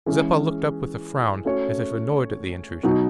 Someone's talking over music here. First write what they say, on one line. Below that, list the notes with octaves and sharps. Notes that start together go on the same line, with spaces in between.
Zeppa looked up with a frown, as if annoyed at the intrusion.
E3 G#3 C#4 G#4
A3 C#4 F#4 C#5
B2 F#3 B3 D#4 F#4